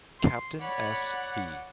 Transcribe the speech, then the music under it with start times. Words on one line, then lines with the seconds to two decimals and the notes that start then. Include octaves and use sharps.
Captain S. B.
0.20 C6
0.60 C#5 D5 F#5 B5